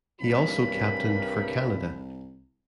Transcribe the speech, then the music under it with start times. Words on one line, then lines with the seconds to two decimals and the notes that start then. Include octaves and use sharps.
He also captained for Canada.
0.21 C2 G2 D#3 C#4 A#4 B5